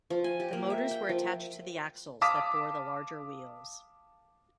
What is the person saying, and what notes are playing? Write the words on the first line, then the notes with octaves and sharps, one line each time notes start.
The motors were attached to the axles that bore the larger wheels.
F3
G#5
G4
A#3
E5
G5
F3
F5 A5 D6 D#6 B6